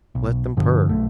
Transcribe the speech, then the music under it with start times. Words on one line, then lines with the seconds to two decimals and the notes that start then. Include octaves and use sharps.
Let them purr.
0.15 B1
0.57 G2 D3 F3
0.89 B1 A3